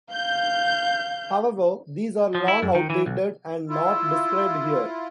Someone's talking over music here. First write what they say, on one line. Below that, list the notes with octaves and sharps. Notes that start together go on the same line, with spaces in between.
However these are long outdated and not described here.
F5 G6
F3
E4
F#2
D#3
E3
B1
E4 F4 E6